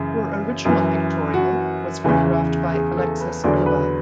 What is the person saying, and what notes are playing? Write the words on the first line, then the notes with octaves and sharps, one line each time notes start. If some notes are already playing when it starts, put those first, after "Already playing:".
Her original pictorial was photographed by Alexas Urba.
Already playing: F#2 C#3 E3
F#2 E3
F#4
E2 C#3 E3
G#4
A4
B4
E2 D3 F#3 D5
B4